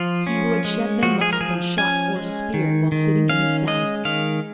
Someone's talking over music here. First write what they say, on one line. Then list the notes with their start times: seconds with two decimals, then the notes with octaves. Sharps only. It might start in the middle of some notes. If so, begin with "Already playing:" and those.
He who had shed them must have been shot, or speared, while sitting in his saddle.
Already playing: F3 F4
0.27 C#4
0.65 G#3
1.03 F3 F#4
1.21 G#4
1.33 A#4
1.41 F3 G#4
1.78 C#4 G#5
2.16 G#3
2.54 D#3
2.92 D#3
3.29 C#4 F5
3.67 G#3 D#5
4.05 D#3 F5